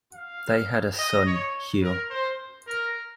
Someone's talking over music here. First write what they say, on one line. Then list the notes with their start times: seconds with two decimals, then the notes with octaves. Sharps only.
They had a son, Hugh.
0.14 F5
0.98 D#5
1.26 C#5
1.83 A#4
2.10 C5
2.67 A#4